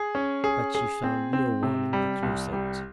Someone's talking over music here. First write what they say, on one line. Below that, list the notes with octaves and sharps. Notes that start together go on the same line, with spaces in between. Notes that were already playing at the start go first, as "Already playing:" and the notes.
But she found no one in the closet.
Already playing: G#4
C#4
G#4
G#4
C4
C4
C3
G3
C2
G3